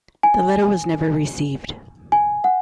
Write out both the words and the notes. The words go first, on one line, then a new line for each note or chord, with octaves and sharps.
The letter was never received.
G#5
G#5
F#5